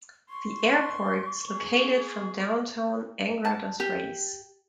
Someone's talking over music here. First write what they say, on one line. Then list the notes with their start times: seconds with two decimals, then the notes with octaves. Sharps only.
The airport is located from downtown Angra dos Reis.
0.29 C6 C#6
1.51 B3 G#4
3.45 A5
3.80 G4